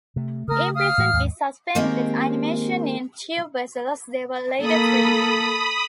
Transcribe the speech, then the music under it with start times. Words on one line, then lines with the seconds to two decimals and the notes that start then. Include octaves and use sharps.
Imprisoned in suspended animation in tube vessels, they were later freed.
0.16 C3 A3
0.48 C#3 A3 A#4 D#6 F6
0.74 F5 D#6 F6
0.98 A2 E3 G#3
1.13 D#2 G#2
1.75 D#3 G#3 A#3 C4 G4 A#4
4.61 A#3 A4 B5 D#6